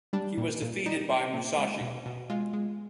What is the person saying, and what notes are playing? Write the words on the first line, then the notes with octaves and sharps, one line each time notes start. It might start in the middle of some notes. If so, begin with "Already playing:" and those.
He was defeated by Musashi.
G3 D4
A#2
A#2
G3 D#4
G3
A#2
G#3
B2
B2
G#3 F4
G#3